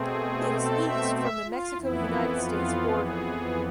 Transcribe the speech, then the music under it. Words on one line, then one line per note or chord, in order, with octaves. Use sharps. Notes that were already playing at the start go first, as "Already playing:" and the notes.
It is east from the Mexico-United States border.
Already playing: B2 A3 C4 G#4
A4
E5
E5
F4
F2 E3 B3 E4
F4
G#4